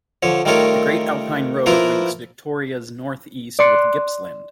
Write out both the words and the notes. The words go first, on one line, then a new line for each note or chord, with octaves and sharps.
The Great Alpine Road links Victoria's North East with Gippsland.
D3 F3 C#5
D#3 G3 A3 F4 A#4 C#5
F3 A#3 E4 F4 A#4 B4
D5 C6 F#6 C#7